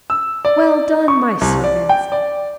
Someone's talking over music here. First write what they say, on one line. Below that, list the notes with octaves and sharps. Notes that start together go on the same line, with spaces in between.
'Well done, my servants!
E6
D5
C#6
C2
D5
G5
D5